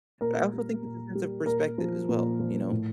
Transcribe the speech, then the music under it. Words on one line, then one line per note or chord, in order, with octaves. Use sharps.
But I also think there's a sense of perspective as well, you know?
A#2 A#4
G3
A#2
G3
A#2 A#4
F3
A#2
F3
A2